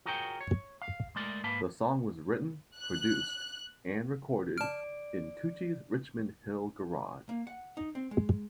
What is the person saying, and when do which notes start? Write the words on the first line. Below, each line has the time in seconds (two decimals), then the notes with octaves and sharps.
The song was written, produced and recorded in Tucci's Richmond Hill garage.
0.06 F4 F#4 G#4 A#4 C#5 G5
0.41 C#5
0.82 F5
1.16 G#3 A3 A#4 D5
1.44 G#2 A#3 B4 F5 A5
2.78 F#6
4.58 D5 A5 F6 D7
7.29 A#3
7.47 F#5
7.77 D#4
7.95 C4
8.11 G#3